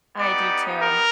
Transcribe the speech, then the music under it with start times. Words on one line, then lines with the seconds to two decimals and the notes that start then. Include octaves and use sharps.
I do, too.
0.18 B3 D#4 G4 D5
0.80 A#4